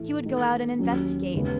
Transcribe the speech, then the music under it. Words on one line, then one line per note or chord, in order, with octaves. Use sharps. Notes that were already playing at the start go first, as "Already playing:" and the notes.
He would go out and investigate.
Already playing: A2 E3 A3
D#3 A3 D#4
D#2 D#3 F#3 C#4
D#2 C#3 G#3 B3